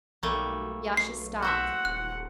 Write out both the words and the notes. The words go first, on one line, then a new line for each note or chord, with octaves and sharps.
Yasha stopped.
B1 G3 A3 A#3
C7
F#4 C5 E5 F#5
D#1 F#6